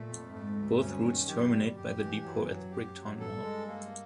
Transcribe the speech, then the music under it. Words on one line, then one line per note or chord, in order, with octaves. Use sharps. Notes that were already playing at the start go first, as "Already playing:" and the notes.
Both routes terminate by the depot at the Bricktown Mall.
Already playing: A#2 A3
F2
G#2 A3
D2
G2 C#4
D#3
F#2 G4
G3
F#2 G4
E3
F#2 F#3
F#3
G4
F#3
G2 A4
G#3
A#3